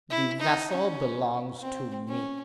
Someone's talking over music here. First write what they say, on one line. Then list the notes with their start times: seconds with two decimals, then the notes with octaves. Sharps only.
"The vessel belongs to me."
0.10 E4
0.40 D#4
0.71 C#4
1.62 C4
2.08 C#4